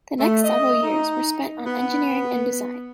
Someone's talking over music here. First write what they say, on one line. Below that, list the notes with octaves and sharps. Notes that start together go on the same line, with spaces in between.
The next several years were spent on engineering and design.
A3
D#5
D#4
B3